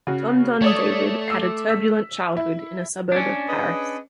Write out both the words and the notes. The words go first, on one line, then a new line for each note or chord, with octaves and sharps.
Tonton David had a turbulent childhood in a suburb of Paris.
C#3 F#4
A3 C#5 D5 D#6
D6 E6 C7
E6 B6
E4
C#4 D4
G#4 B4 D#5